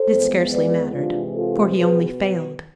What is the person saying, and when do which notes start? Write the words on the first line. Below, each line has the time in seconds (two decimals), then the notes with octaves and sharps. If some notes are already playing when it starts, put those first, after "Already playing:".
But it scarcely mattered, for he only failed.
Already playing: A4 C5
0.10 F2 E3 G#3 B3
0.52 B4 D5
0.93 C3 E3 G#3 C4 D4 F4
1.35 F4 A4
1.76 B2 B3 G#4 B4